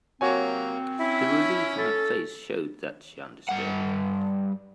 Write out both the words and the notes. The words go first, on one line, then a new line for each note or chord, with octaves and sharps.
The relief on her face showed that she understood.
C3 F#3 A#3 C4 F#4 C#5 G#5
C#4 E4
A4
G2 F#5